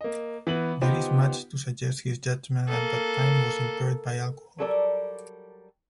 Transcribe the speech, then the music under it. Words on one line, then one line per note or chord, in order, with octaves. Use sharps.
There is much to suggest his judgement at that time was impaired by alcohol.
A#3 D#5
E3 B3 F#7
B3 D#4 F4 G4 B4 C5
A#3 A4
F#3 G3 A4 A#4 C#5 D5